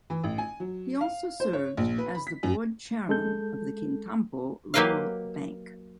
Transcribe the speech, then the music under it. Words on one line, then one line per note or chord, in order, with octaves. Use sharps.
He also served as the board chairman of Kintampo Rural Bank.
E3
A1
G#5
F#3
F5
C5
C#5
A#1
B4
B5
B6
F#2
G#3 A4 G6
F#3 A#3 G4 B4 D#5 F5